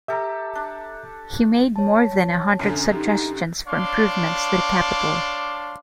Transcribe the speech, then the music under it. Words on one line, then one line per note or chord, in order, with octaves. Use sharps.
He made more than a hundred suggestions for improvements to the capital.
G4 A4 E5 A#5
D4
C#5 A5
F#2 D3 C#4
D#4 G4
D4 C#5 F5 A5 C6 D6